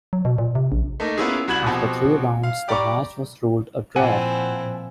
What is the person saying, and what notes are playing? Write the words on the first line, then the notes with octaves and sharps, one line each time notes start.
After three rounds, the match was ruled a draw.
F#3
B2
A#2
C3
A#1
A3 A#3 D#4
A#3 B3 C#4 E4 F4 G#4
C2 F#4 B5 G#6 E7 F#7
B2 F3 C4 F#4 G4
F5
G4 D5 A#5 B5 C#6 D6
A#2 F3 C4 E4 F#5 G#5 A5